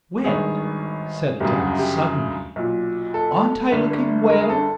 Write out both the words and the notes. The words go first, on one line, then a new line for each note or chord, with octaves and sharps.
"Well," said Adela suddenly, "aren't I looking well?"
G#1 G2 D#3 G#4
G1 F#2 C#3 G4
F#4
G4
B1 A#2
A4
G1 G2 D3
A#4
G#4
A4